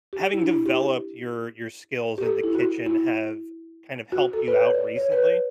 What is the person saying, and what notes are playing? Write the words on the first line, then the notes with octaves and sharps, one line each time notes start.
having developed your your skills in the kitchen have kind of helped you out recently?
G4
E4
D4
E4
G4
G4
A4
E4
F#4
E4
F#4
A4
B4
C#5
D5
C#5
B4
C#5